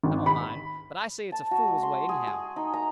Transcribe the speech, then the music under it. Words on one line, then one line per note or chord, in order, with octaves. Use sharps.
I don't mind; but I say it's a fool way, anyhow.
G#1
B5
A5
F#4
G#3
C6
G#4
G#4
D#4
A#5